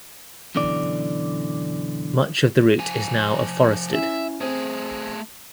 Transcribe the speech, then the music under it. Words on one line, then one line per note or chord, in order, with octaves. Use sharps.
Much of the route is now afforested.
F#2 B2 D3 E3 D5
F3 G#5
C#4 E4 E5
A3 C4 G#4